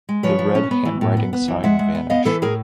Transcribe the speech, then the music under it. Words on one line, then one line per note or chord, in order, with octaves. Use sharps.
The red handwriting sign vanished.
G#3
F3 B4 C#5
F3
C#4
B3
E3
A2
B3
B3
E3
G#3 E5 F#5
G#3
B3
B3 D#5 F5
E3 A4 B4
A2 G#4 A#4